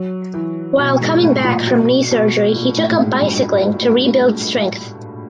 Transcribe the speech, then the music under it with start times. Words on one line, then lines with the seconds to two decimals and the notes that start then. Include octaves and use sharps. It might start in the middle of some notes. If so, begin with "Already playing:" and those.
While coming back from knee surgery he took up bicycling to rebuild strength.
Already playing: F#3
0.34 E3
0.79 B2
1.01 G#2
1.22 A2
1.44 A#2
1.67 B2
2.11 B2
2.56 A#2
2.77 A2
2.90 A2
2.99 G#2
3.22 G2